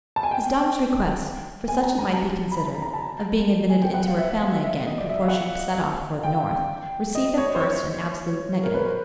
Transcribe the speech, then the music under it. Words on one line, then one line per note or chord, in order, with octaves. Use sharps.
His daughter's request, for such it might be considered, of being admitted into her family again before she set off for the North, received at first an absolute negative.
A5
G#5
G5
G#5
A#5
A#5
A5
B5
A#5
A#5
A5
G#5
G5
F#5
F5
E5
F5
E5
D#5
D5
E5
F5
F#5
F5
G5
D#5
C#5
C5
C#5
A#4
B4
C5